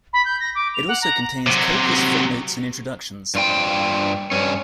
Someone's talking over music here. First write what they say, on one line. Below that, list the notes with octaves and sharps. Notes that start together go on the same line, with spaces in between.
It also contains copious footnotes and introductions.
B5
G6
A#6
D6
F7
F#5
A#5
C3 F#3
G2 F4 G5
G2 C#4